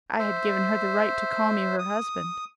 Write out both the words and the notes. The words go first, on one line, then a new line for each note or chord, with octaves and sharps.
I had given her the right to call me her husband.
C5 E5
D#6